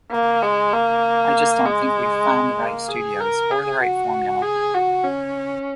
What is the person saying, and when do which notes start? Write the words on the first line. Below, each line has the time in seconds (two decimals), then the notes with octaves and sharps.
I just don't think we've found the right studios, or the right formula.
0.11 A#3
0.43 G#3
0.73 A#3
1.66 G#3
2.58 A#3
2.89 G#4
3.20 A#4
3.51 G#4
3.81 F#4
4.42 G#4
4.74 F#4
5.04 C#4